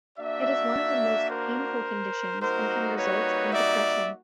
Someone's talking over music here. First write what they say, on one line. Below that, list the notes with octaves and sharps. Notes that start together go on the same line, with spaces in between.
It is one of the most painful conditions and can result in depression.
A#3 D4 F#4 D5 E5
A#4 C5
G3 A#3 D#4 F#4 A#4 C5
B4 C#5
D5 E5